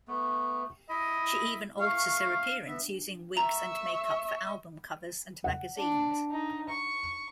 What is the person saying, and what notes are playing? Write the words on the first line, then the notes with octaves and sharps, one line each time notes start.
She even alters her appearance using wigs and make-up for album covers and magazines.
A3 B3
E4 D#5 B5
A3 F5 C#6
B3 E5
E5 A#5 C#6
F#5
D4
D#4
C#6